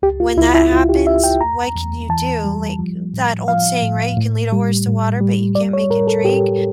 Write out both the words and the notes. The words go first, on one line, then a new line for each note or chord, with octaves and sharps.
when that happens, what could you do? Like, that old saying, right, "You can lead a horse to water, but you can't make it drink."
C#2 G4
F4
C#2 E4
E4
C#2 F4
G4
C#2 E5
G5
E2 A#5
E2
E3 A5
G3
F3
A2
F3 F5
A2
A2
G3
A2
G3
G3 D5
C#5
A2 A#4
A4
A2 G4